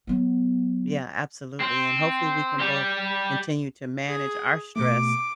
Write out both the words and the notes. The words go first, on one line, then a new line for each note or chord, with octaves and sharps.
Yeah absolutely, and hopefully we can both continue to manage our stress
F#3 B3
C4
G3 G4
G#4
B2 A3 D6